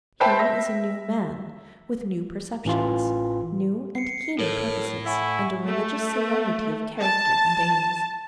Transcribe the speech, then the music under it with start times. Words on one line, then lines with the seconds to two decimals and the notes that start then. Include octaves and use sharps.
He is a new man, with new perceptions, new and keener purposes, and a religious solemnity of character and aims.
0.20 B4 C5 E5 G5 A5 B5
0.39 E5 A#6
2.65 A1 E3 F4
3.95 C7 C#7
4.39 A2 A4 A#4 C#5
5.06 E4 F#5 G#5 C#6
5.67 A3
7.01 A5